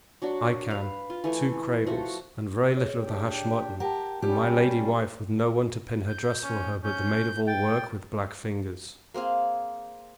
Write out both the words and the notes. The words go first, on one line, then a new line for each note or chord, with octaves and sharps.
"I can;--two cradles, and very little of the hashed mutton; and my lady wife with no one to pin her dress for her but the maid of all work with black fingers."
F#3 D4 F#4
B4 F5
F4
E3 A3 G#5
F3 A3 F#4 F#5
G#4 C#5
D4 G4 G5
G4 A#4 F#5 G5 A5
G3 C#4 G4
G6
C#4
C#4 G6
G5 A6
A#3 C4 G#4 F5